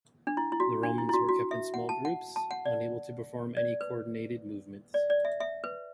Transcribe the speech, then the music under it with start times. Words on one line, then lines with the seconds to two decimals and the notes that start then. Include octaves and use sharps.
The Romans were kept in small groups, unable to perform any coordinated movement.
0.27 D4
0.37 E4
0.52 E4
0.60 F#4
0.83 D4
0.98 E4
1.09 E4
1.13 F#4
1.29 F#4
1.51 E5
1.74 F#5
1.89 A5
2.05 F#5
2.36 A5
2.51 F#5
2.65 D5
3.57 D5
3.81 B4
4.94 D5
5.10 D5
5.25 E5
5.40 E5
5.64 B4